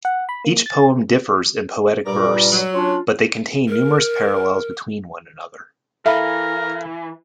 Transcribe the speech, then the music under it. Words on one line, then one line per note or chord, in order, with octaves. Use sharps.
Each poem differs in poetic verse, but they contain numerous parallels between one another.
F#5
B5
A#3
A6
G2 A#2 G3 A#4 D5
F#3
C#4 D4 F4
A#4
E3 A4 A#4 E5 F5 B5